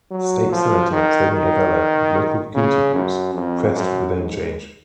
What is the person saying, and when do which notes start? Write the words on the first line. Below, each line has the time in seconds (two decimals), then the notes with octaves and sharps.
State Senator Tony Avella and local community groups pressed for the name change.
0.11 F#3
0.52 F3
0.92 D#3
1.32 D#3
2.55 C#3
2.95 F#2
3.35 F2
3.76 F#2
4.17 G#2